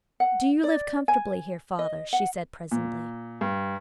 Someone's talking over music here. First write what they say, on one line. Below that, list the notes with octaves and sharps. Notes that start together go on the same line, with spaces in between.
'Do you live comfortably here, father?' she said presently.
F#5
D5
G#5
D#5
F#5
A#2
G2